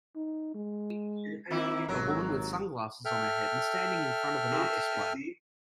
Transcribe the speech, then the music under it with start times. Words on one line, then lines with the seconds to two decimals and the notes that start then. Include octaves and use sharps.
A woman with sunglasses on her head and standing in front of an art display.
0.16 D#4
0.55 G#3
1.51 D#3 A#3 C4 E4
1.88 G#1 D#2 F#3 A#4
3.05 A4 E5 G5 F6